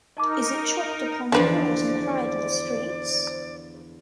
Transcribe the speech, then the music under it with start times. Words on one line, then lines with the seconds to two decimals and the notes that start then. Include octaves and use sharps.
Is it chalked upon the walls and cried in the streets?
0.17 D#4 A#4 D#5 A5 D6
1.32 E2 D3 F3 D4 B4 C5 D5